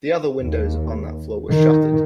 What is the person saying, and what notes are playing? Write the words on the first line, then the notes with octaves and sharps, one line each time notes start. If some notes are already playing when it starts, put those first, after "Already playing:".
The other windows upon that floor were shuttered.
D#2
D#3